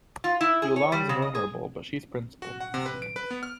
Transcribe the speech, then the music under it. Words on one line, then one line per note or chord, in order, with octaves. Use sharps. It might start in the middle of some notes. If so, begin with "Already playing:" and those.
Yolande's vulnerable, but she's principled.
F4
E4
G#4
C#5
G3
C#3
D#5
G#4
F#4
F#5
C3
B4
D7
B4
B3
F6